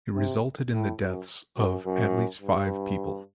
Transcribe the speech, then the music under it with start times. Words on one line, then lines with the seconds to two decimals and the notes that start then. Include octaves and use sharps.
It resulted in the deaths of at least five people.
0.15 C3
0.71 A2
1.00 F#2
1.57 F#2
1.85 F#2
2.41 G2